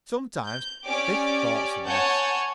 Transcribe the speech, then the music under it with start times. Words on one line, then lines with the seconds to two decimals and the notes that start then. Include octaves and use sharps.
Sometimes fifth thoughts are best.
0.44 G6
0.85 C#4 G4 D5 D6
1.86 C#5 F#5 G#5 A5 G6